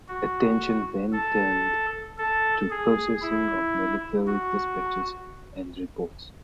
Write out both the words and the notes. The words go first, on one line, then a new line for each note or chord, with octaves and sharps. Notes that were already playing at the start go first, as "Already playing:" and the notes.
Attention then turned to processing of military dispatches and reports.
F#4
A4
A4
G#4
E4
F#4